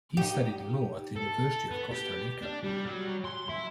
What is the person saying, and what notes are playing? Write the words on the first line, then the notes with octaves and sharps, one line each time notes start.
He studied Law at the University of Costa Rica.
D#4 G4
A4
B3
G4
D4
G3
F#3
C6
E4